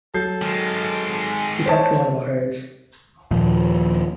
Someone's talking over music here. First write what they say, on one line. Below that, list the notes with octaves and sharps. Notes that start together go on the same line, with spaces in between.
She talked a lot about hers.
F#3 A4 G6 C7
D#3 G#3
C5 C#5 A5
D#2 A#2 F3